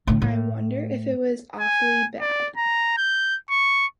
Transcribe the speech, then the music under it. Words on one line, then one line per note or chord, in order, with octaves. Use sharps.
I wonder if it was awfully bad.
A2 D3
A2
G#5
D5
A#5
G6
C#6